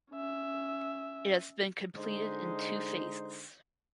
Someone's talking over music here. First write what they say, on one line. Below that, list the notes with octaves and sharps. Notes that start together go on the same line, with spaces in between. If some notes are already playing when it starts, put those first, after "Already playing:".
It has been completed in two phases.
C#4 E5
D3 G#3 D#4 C5